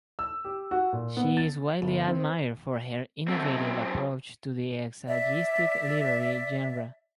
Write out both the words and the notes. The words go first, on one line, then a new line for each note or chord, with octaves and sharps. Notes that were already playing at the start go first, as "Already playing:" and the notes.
She is widely admired for her innovative approach to the essayistic literary genre.
E6
G4
F#4
A#2
B3
A6
G1
C4
F#2 C4
D5 E5